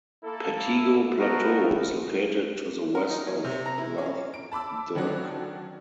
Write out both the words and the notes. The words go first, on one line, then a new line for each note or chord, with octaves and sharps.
Pettigo Plateau is located to the west of Lough Derg.
A#3 E4 A4
B3 D#4 E4 F#4 A4 A#4
A#4
D#4
F#3
C3
A#5
E4
C#4
D7
A5 B5 D6 E6
D#3 F#3 C#4 D4 F#4